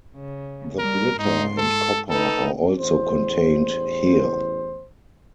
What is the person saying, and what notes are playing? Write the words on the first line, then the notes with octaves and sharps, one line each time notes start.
The Blitter and Copper are also contained here.
C#3
G3 A#4
G#2 D#4 C6
A4
D#4 A4 B4
A1 E2 C5